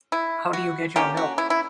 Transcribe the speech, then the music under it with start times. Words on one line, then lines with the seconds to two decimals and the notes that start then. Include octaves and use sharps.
How do you get your milk?
0.12 E4
0.53 F#4
0.96 D3 A#3 C#4 G4
1.17 F#4
1.38 E4
1.50 E4